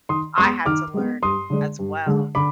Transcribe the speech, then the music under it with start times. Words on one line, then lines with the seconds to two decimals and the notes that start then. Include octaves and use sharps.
I had to learn as well.
0.09 D#3 C6 D#6
0.38 G#3 B3 C6 D#6
0.66 D#3 D6 F6
0.94 G#3 B3
1.23 G2 C6 D#6
1.50 D3 G#3 D4
1.79 G2
2.06 D3 G#3 D4
2.35 D3 B5 D6